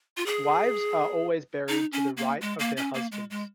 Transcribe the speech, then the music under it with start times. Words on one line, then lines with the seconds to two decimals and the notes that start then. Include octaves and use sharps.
Wives are always buried to the right of their husbands.
0.17 F4
0.26 G#4
1.69 D#4
1.93 C#4
2.17 A#3
2.41 G#3
2.59 A#3
2.77 C#4
2.94 A#3
3.12 G#3
3.30 G#3